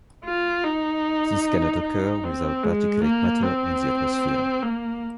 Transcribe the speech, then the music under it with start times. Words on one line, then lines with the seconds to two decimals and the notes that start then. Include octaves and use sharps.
This cannot occur without particulate matter in the atmosphere.
0.25 F4
0.64 D#4
1.84 D#4
2.24 C4
2.64 G#3
3.04 A#3
3.43 C4
4.63 A#3